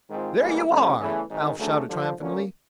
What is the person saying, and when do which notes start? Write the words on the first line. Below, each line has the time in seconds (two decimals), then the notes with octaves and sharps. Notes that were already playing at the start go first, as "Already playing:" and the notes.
"There you are!" Alf shouted triumphantly.
0.09 G#2 D#3 G#3 C4 F4
0.38 A1 G#2 E3 G3 A#3
0.69 C2 C3 F3 A3 C#4
0.99 E2 C#3 E3 A3
1.28 G#1 G#2 D#3
1.58 D2 C#3 F#3 A3 D4
1.87 G2 D3 F3
2.18 D2 D3 F#3 A#3 C#4